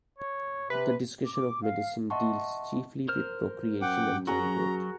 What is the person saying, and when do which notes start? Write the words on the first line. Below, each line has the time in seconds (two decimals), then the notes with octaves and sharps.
The discussion of medicine deals chiefly with procreation and childbirth.
0.18 C#5
0.70 C3 B4
1.25 D6
1.63 F5
2.10 D#5 E5 F#5 A5 C6 C#6
3.08 A#4 C5 F6
3.82 F#2 F#5 G5 D6
4.27 F#3 F#4 G#4 A#4 A#5